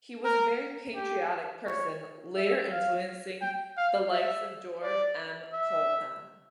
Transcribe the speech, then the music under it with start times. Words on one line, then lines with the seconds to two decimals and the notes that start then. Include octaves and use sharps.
He was a very patriotic person later influencing the likes of George M. Cohan.
0.25 A#4
0.96 G4
1.66 C#5
2.37 E5
2.71 F5
3.41 G5
3.77 F5
4.12 E5
4.83 D5
5.53 E5